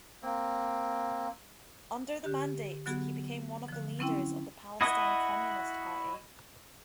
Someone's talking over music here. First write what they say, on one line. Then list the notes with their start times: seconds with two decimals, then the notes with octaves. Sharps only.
Under the Mandate he became one of the leaders of the Palestine Communist Party.
0.23 A#3 C4
2.24 D3 G4
2.86 D3 F#3 B3 F#4 G#4
3.68 D3 F3
3.99 F#3 C4 C#4 E4 G5
4.81 E4 F#4 D#5 D#6